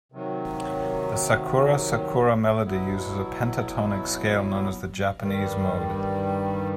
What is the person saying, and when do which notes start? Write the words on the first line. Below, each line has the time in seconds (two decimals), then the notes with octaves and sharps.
The "Sakura Sakura" melody uses a pentatonic scale known as the Japanese mode.
0.12 C3 D#3 F#3
2.65 B2 F#3 B3 E4
5.18 G2 D#3 G3